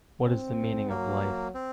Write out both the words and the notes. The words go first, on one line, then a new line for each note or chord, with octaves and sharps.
What is the meaning of life?
C4
F#3 A#3
F#3
C4